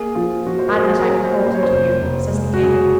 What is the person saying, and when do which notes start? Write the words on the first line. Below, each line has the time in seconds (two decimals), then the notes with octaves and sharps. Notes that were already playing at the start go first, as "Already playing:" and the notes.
"And that I'm beholden to you," says the king.
Already playing: A#3 G#4
0.15 F3 F4
0.46 F3 F#4
0.59 C5
0.68 A#4
0.77 A#3 G#4
1.00 A#4
1.08 C#4
1.24 C5
1.39 A#3
1.47 C5
1.55 C#5
1.63 C5
1.70 F1
2.01 F1
2.32 G#3
2.54 F#4
2.62 C#3 G#4